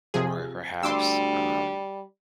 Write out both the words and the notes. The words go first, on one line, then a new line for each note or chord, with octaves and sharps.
or perhaps, um
C3 F3 G#4
D2 G3 C6 D6 E6